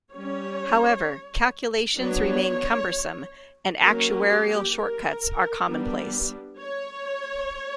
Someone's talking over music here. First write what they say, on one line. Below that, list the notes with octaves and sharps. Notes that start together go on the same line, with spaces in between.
However, calculations remained cumbersome, and actuarial shortcuts were commonplace.
G3 C#4 C#5
F#3 B3 D4 C#5
F#3 A#3 C#4 A#4
G4
A#4
G3 B3 D4
C#5